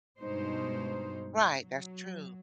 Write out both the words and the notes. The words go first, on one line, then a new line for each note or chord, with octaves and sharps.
Right, that's true.
G2 B2 G#3 D#4 C5
F#3